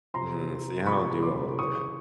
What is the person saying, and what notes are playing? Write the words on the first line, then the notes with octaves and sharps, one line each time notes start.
Mm, see, I don't do all of that.
C3 F3 A#5 C6
C3 F3 B5 C#6
C6 D6
C#3 E3 C#6 D#6